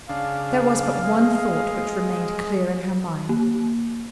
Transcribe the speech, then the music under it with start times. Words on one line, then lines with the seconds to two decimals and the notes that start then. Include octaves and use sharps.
There was but one thought which remained clear in her mind.
0.09 C#3 D4 F5
1.05 G#3
3.29 A#3